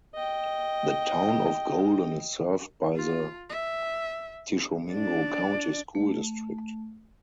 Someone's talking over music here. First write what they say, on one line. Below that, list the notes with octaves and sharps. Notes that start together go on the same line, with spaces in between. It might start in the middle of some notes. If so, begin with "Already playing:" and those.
The Town of Golden is served by the Tishomingo County School District.
D#5 G5
F4
E5
D4 D5
A3